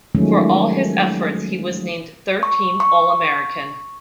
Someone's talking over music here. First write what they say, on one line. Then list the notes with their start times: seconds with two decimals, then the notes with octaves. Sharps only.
For his efforts, he was named Third Team All-American.
0.15 D#3 F3 F#3 G#3 A3 C#4
2.43 C#6
2.80 C#6